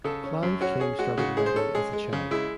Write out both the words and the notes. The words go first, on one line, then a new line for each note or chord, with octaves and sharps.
Clive King started writing as a child.
C#3 A4
C#4
F#2
C#4 F#4
C#4 G#4
G#3 F#4
C#3 F#4
G#3 G#4
C5
C#4 A4
G#3 G#4
G#3
C#3
G#3 E4